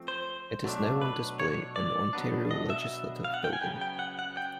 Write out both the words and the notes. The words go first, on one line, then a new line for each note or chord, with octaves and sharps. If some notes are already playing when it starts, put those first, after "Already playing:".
It is now on display in the Ontario Legislative Building.
Already playing: F3 A3 C4
C5
B2 F#3 A3 D4
B4
C#5
D5
B2 F#3 B3 D4
D#5
E5
F5
F#5
G5
G#5
C#3 F#3 B3 G5
G5
F#5
F#5
G5